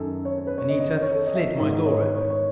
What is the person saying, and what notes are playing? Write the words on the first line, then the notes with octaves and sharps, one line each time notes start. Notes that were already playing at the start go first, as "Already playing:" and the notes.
Anita slid my door open.
Already playing: F#2 D#3 A4
C#5
C#5
B4
C#5
D#5
D#5
C#5
A4
D#5
E5
G#2 D#3 D#5
D#5
C#5
B4
C#5
C#5